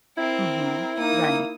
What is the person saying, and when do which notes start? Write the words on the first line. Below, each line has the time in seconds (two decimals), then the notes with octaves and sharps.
Mhm, right.
0.18 C4 E4 A#4
0.98 A#3 D#4 D#6